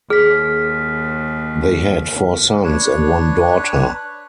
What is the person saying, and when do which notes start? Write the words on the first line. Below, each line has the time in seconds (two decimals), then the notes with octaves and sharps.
They had four sons and one daughter.
0.10 D#2 G#4 F6 B6
2.64 D4 B4 C#5